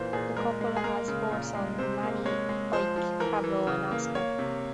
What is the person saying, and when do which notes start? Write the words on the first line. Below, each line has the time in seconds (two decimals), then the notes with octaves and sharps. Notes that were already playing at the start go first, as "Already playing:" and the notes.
The couple has four sons, Manny, Ike, Pablo, and Oscar.
Already playing: A#2 E3 C5
0.13 A#2 G#4
0.37 G#3 A#4
0.61 G#3
0.77 G#4
0.84 A#3 A#4
1.08 C#3
1.31 A#2
1.55 G#3
1.78 C3 C5
2.03 A#3
2.26 G#3 C#5
2.49 G#3
2.73 F3 C5
2.96 F3
3.20 E3 A#4
3.44 E3
3.67 C#3
3.91 A#3
4.15 A#3 C#5
4.39 C3